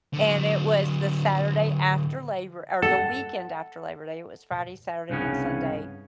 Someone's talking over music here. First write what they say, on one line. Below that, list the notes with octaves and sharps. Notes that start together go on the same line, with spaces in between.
and it was the Saturday after Labor or the weekend after Labor day, it was Friday, Saturday, and Sunday,
D3 F#3
A4 F#5
C2 G2 C#3 B3 C#4